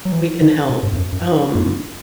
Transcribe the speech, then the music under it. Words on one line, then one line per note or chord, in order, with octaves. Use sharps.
we can help, um
F#3
E3
D3
B2
G2
E2
F#2
F#2
F#2